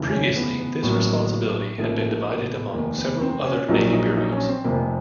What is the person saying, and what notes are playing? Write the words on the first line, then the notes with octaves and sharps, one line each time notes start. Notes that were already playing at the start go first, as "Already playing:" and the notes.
Previously, this responsibility had been divided among several other navy bureaus.
Already playing: F1 D#2 C#3 E3
C#4
B3
B3
A1 A2 F#3 A#3
A1 G#2 F3 A3 A#3
A#3
A#3
B3
B3
F1 D#2 D#3 A#3
B3
C4
C#4
A#1 A#2 F#3 A#3 D#4
D#4
D#4
C#4
C4
F1 F2 C3 A#3